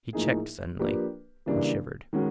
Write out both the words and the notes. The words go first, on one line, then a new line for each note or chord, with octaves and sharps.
He checked suddenly, and shivered.
A2 F3 A#3 D#4 G#4
F3 A#3 D4 G4 B4
C#3 E3 G3 A#3 D4
D#3 G#3 C#4 F#4